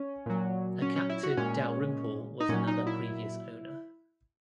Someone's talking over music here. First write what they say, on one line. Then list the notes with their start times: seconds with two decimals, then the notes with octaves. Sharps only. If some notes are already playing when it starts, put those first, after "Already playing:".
A Captain Dalrymple was another previous owner.
Already playing: C#4
0.26 A#2 F#3
0.82 C#4
0.96 C#4
1.09 E4
1.23 F#4
1.37 A#2 G#3 C#4
2.40 D#4
2.49 A#2 F#3 C#4
2.67 D#4
2.87 E4